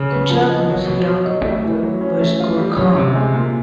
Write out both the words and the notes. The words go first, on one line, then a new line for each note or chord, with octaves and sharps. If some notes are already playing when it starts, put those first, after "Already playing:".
Kurchakus's younger brother was Gur Khan.
Already playing: C#3
B3
F3
D#4
F#3
B2
F#3
D#4
A3
E3
F#3
C#4
A3
F4
G3
C#4
C3
G#3
A#2